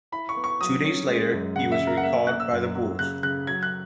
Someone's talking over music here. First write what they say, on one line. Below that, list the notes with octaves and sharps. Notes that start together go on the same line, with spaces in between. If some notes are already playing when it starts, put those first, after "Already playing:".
Two days later, he was recalled by the Bulls.
E4 B5
C#6
B3
C#6
F#3 D#6
C#4
G#3
F#2
C#3 F#5
E5
C#3
A#4
F#5
A#3 E5
A#3 F#6
E6
F#2
F#3
C#3 F#6
C#3 F#6
F#3 G#6
F#6